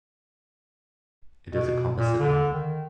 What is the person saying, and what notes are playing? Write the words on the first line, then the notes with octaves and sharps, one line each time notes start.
It is a composite number.
B2
A#2
D3
D#3